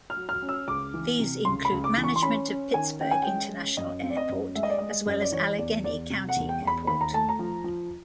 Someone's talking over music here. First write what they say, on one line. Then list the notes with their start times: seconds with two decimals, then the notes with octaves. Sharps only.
These include management of Pittsburgh International Airport as well as Allegheny County Airport.
0.10 F6
0.16 F#3
0.29 F6
0.42 C#4
0.49 E6
0.68 C#2 D6
0.94 E3
1.20 C3
1.45 C#2 C6
1.65 B5
1.71 C#2
1.84 D6
1.97 E3
2.04 C#6
2.16 C6
2.22 C#4 B5
2.48 C#4
2.74 D#3 G#5
3.01 C#4 G5
3.11 G#5
3.23 G#3 G5
3.51 C#4
3.77 F#2 D#5
4.03 C4
4.10 D5
4.17 D#5
4.29 F#2
4.55 G#3 E5
4.63 D#5
4.70 D5
4.78 G#3 D#5
5.06 F#2 D#5
5.21 D5
5.32 E3 C#5
5.58 E2 D5
5.83 E2 D5
6.10 C3
6.29 F#5
6.36 E2
6.49 G5
6.62 E2
6.67 B5
6.87 D#2 B5
7.01 A#5
7.13 A3 A5
7.29 A#5
7.39 F3
7.64 F3